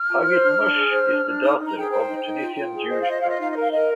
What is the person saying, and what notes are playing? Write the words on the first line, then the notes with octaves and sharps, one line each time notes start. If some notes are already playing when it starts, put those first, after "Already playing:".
Hagit Moshe is the daughter of Tunisian Jewish parents.
Already playing: F6
F4
C5
D4
D4
G#4
C5
D4
D4
D#4 D#6
D#4
A#5
G#4 G5
C5 G5
D#4
D#4
F4
F4
G#4
C5 D#5
F5
F4 D#5
F4 F5
D#5
D#4 F5
D#5
A#4 F5
A#4 D#5